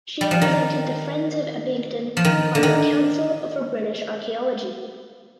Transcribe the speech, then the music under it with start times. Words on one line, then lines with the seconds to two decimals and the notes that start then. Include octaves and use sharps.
She represented the Friends of Abingdon on the Council for British Archaeology.
0.21 G3
0.31 F3
0.42 D#3
2.17 F3
2.25 D#3
2.55 D3
2.63 D#3